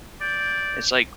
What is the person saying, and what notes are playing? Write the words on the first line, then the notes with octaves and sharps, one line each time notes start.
It's like, eh,
D5 G6